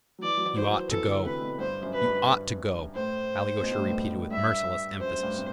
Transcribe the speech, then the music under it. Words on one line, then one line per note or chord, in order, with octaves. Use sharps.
"You ought to go, you ought to go," Alyosha repeated with merciless emphasis.
F#3
E3 D5
F#3
E3
E3 C5
F#3
E3 A4
D3
C3 B4
B2
G2 C5
F#2
B4
G2
A2 C5
B2
A2
G2
A2
G2 E5
F#2 C5
A2
G2
C3